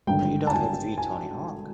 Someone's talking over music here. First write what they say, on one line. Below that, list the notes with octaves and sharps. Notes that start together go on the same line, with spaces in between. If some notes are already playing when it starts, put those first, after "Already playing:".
But, you don't need to be Tony Hawk.
G#1 G2 D3 G5
A5
G#5
G#5